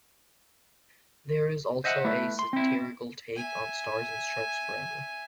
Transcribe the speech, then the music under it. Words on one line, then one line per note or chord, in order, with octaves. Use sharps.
There is also a satirical take on Stars and Stripes Forever.
C5 D#5 E5 F#5
A3 E4 B4
C6
C4 E4
E5 G#5